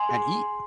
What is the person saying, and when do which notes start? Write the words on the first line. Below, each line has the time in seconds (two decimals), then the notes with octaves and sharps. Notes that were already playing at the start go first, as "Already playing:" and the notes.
and eat,
Already playing: G#5 C6
0.09 G#4